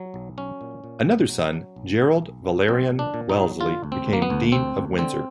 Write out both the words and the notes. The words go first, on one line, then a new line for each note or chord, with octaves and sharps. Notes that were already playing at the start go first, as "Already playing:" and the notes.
Another son, Gerald Valerian Wellesley, became Dean of Windsor.
Already playing: F#3
B1
F#3 C#4
A#2
A#2
B1
F#3
F#3
B1
B1
B1
F#3
B1 C4
A#2
D4
A#2
D#4
F#3
D3 F4
D2
C4
D2
A#3
B3
D2
D2 C4
D2
D3 C4